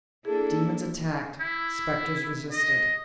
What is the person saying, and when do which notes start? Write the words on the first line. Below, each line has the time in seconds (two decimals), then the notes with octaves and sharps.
Demons attacked, spectres resisted.
0.25 A#3 D4 E4 G#4 A4
1.40 E4
2.52 D#5